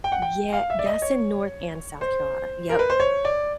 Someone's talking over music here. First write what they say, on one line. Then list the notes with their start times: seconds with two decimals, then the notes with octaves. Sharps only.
yeah that's in North and South Carolina. Yep,
0.04 G5
0.12 F#5
0.22 G5
0.53 F5
0.70 E5
0.79 D5
0.86 D#5
1.02 C#5
2.01 C5
2.69 A#4
2.79 B4
2.90 C5
3.00 C#5
3.25 D5